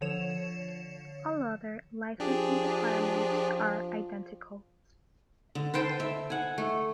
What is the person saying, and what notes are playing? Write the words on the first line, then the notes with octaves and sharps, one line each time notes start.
All other licensing requirements are identical.
D3 F3 C#5 E7
F3 D4 G4 G#4
D3
B4 C5 G5 A5
E5
F#5 G#5
A3